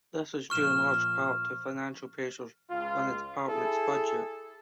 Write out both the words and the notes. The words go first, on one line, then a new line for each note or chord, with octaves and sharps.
This was due in large part to financial pressures on that department's budget.
A#2 F3 C#6 F6 E7
C#2 F4
E4 G#4 A4